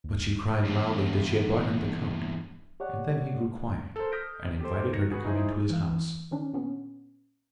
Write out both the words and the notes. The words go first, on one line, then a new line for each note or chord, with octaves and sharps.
But she cried loudly that she had brought him the coat, and then he grew quiet, and invited her to come into his house.
D#2
E2 G2
G4 C#5 D5 F#5
A4 A#4 C5
D#6 F6 G6 A#6 B6 D7
G4 A4 C5
D#3 A#6 C#7
F#4 G#4 B4 C#6
D#4 E4 G#4 C5
E3 F5
E3
D#3 C#4 D4
A#2 B3 C#4